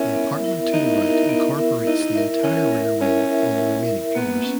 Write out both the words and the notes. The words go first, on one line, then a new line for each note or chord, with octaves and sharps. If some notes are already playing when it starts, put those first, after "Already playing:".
The apartment to the right incorporates the entire rear wing on the remaining floors.
Already playing: B3 C#4 E4 A#4 E5
B3
E4 A#4 E5
B3 D#4
E4 A#4 E5
B3
E4 A#4 E5
D#4 E4
A#4 E5
C#4 E4
A#4 E5
C#4 E4
A#4 E5
E4
A#4 E5
A#3 B3
C#4